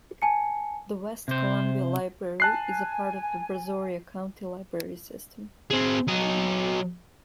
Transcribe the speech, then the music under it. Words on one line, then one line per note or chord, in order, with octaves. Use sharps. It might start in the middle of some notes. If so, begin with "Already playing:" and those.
The West Columbia Library is a part of the Brazoria County Library System.
G#5 A5 C#7
C3 C5
G#5 A5 F#6 C7
C4 G#4
F#3 D#5